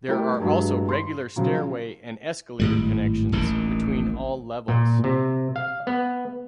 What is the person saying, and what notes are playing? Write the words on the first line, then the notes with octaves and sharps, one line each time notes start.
There are also regular stairway and escalator connections between all levels.
G3 A3 E4 A4 A#4 G5
G2 F#3 G#3
C6
C#3 F3 F#3
G#1 A2 G3
D#1 A1 D#2 D#3
A#2
C3
F5
B3